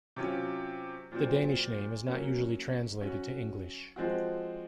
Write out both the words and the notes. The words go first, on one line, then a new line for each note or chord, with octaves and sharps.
The Danish name is not usually translated to English.
C3 F#3 C#4 F4
A#2 F#3 C4
F#3 A#3 C#4
F#3 C#4 F#4
F3 G#3 C4 F#4